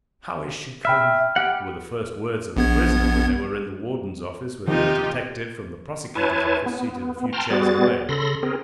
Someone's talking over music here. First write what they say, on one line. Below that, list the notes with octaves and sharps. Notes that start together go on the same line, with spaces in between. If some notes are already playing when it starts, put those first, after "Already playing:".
"How is she, Colonel?" were the first words of the prisoner, when they were in the warden's office with a detective from the prosecutor's office seated a few chairs away.
E5 G5 B5 F6
G4 F#5
A#1 B3 G#6
C3 D#3 F3 A#3 D#4 F4 G4
E4 B4 C#5 G#5 A5
B3
G5 A5 A#5 C6 F6
G3 B3 F#4 G#4 A6
C#3 A4 B5 C6 A#6
C4 G#4 A#4